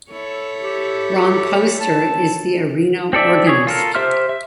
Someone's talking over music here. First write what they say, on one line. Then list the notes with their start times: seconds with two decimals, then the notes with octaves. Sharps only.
Ron Poster is the arena organist.
0.11 E4 A4 C#5
0.60 G4
1.80 A5
3.13 C4 A4 D5 E5
3.47 G#4 C#5
3.67 F4 A4 A#4
3.95 G4 C5 E5 C6 F6
4.29 E5